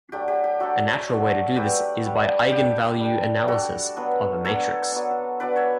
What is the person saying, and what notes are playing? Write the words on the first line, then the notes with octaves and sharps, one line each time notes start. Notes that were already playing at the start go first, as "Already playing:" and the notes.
A natural way to do this is by eigenvalue analysis of a matrix.
F#3 A3 D4 G4
G4
G4
F#3 A3 D4 F#4 A4
F#3 A3 D4
F#3 A3 D4 G4 B4
G3 D4
G3 D4 G4
G3 D4
G3 D4 F#4 A4
F#3 B3 D4
F#3 B3 D4 A4 C#5
F#3 B3 D4
F#3 B3 D4 B4 D5
C#5 E5